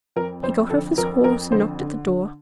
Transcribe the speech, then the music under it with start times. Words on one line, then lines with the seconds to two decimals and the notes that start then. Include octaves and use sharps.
He got off his horse and knocked at the door.
0.16 F2 A#4
0.43 F2 C5
0.70 D3 A4
0.98 F2 A#4
1.24 F2 A#4
1.52 D3 C5
1.80 D3
2.06 D3